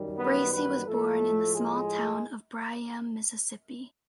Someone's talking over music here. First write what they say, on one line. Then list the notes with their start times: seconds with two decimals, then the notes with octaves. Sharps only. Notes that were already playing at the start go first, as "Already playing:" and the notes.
Bracey was born in the small town of Byram, Mississippi.
Already playing: F#2 D#3 G3
0.17 B3 B4
0.53 B3 B4
0.86 A2 F3 G#3 A3 A4
1.54 G#3 G#4